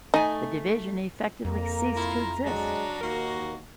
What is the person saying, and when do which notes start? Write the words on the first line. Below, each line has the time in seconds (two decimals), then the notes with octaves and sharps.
The Division effectively ceased to exist.
0.14 A3 D#4 G#5
1.45 F2 A#3 A#5
1.96 E4 F4
2.44 F#3 G#3 D4
3.01 D#2 A#3 D#4 F#4 A#4